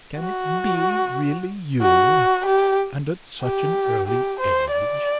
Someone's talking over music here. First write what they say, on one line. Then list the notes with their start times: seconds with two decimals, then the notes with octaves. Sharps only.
Can it be really you ... and at such an early age?
0.21 F#4
1.82 F#4
2.46 G4
3.43 G4
4.08 G4
4.40 C5
4.72 D5